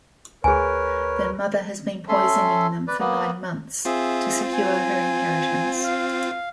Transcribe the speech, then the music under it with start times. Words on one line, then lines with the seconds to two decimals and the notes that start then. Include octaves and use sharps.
Their mother has been poisoning them for nine months to secure her inheritance.
0.44 D2 G#4 A#4 B4 C#5 G#5
2.09 C#4 A4 E5 C6
2.88 B4 D5
3.00 A#3 B3
3.85 C4 F4 G#4 E5
4.53 G#5
5.84 F5